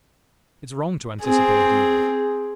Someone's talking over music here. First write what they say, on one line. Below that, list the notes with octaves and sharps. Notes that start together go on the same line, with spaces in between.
'It's wrong to anticipate evil.
C4 G#4